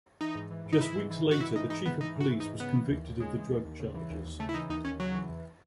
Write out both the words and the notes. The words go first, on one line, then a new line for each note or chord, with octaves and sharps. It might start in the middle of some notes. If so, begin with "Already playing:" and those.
Just weeks later the chief of police was convicted of the drug charges.
E3 D#4
G#2
E3
G#2
D#4
E3 E4
G#2
E3
G#2
F#4
E3 E4
G#2 D#4
E3 D#4
G#2 B3
E3 D#4
G#2 F#4
E3
D#4
G#2
C#3 B3
E3
D#2
D#2
C#3 G#3
E3
D#2
D#2
C#3
E3
D#2
D#2
C#3 A3
E4
E3 D#4
D#2 D#4
D#2 C#4
C#3 F#3
E3
E2